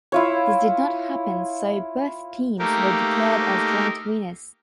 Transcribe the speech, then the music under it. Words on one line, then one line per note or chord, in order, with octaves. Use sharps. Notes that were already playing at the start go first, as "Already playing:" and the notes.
This did not happen so both teams were declared as joint winners.
E4 F4 C#5
A3 A#3 D#4 G4 A#4